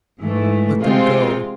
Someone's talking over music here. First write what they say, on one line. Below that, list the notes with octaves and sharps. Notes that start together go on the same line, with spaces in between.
Let them go!
G#2 E3 A3
C3 G#3 C4 F4